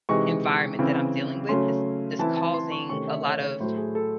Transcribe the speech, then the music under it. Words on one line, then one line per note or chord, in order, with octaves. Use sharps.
environment that I'm dealing with, this this causing a lot of
C3 E3 G#3 D#4 C#6
C#3 E3 C4 E4
C#3 F#3 A3 C#4 C6
E3 C4 E4 A5
A5
C6
C#6
C3 D#3 A3 C#4 C#6
E5
C#5
C#5
A2 F#3 A3 C5
G#4
A4